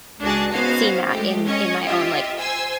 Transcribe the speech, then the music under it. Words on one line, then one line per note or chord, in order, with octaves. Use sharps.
seen that in in my own, like,
C#2 D4 F#4 G#4 A5
B3 C#4 D#4 F#4 C5 F5
G#3 A3 G4
C#4 C#5 D#5
F4 G4 D#5 E5
C5 G#5 E6